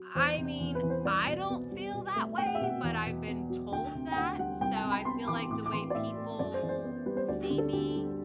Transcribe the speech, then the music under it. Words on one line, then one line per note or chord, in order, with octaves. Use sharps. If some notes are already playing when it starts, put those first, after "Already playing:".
I mean, I don't feel that way, but I've been told that, so I feel like the way people see me
Already playing: F#3
E2 C5
C3
E2
B4
E3
C5
C2 D5
B2
B3
G3
B2
A3
A3 G5
F#5
E5
B2 F#5
E2
B2
B3
F#3
D2 G5
C3
G5
D2 F#5
G3 F#5
C2 G5
A5
C3
B5
B3 C6
E3 D6
A2 D6
D6
E3 C6
D5
A2 E5
A3
F#2 D5
C5
E3
C5
B3
G3 B4
C5
D2 D5
G4
D3
A4
D2 G4
G3